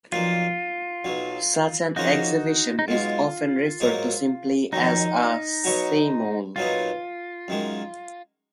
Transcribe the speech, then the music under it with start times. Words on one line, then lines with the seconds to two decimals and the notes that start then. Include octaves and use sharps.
Such an exhibition is often referred to simply as a "simul".
0.12 B1 A#2 F3 A#3 F4
1.05 B1 B2 F#3
1.96 F3 A#3 C#4 D#4 F4 F#4 G#4
2.79 D#4
2.88 B1 B2 G#3 F4
3.80 G#2 F#3 A#3 D#4 A#4
4.72 F2 D#3 F#3 D#4
5.64 B2 F#3 B3 F#4 C#5
6.56 B1 A#2 F#3 B3 D#4 F4
7.48 F#2 D#3 G#3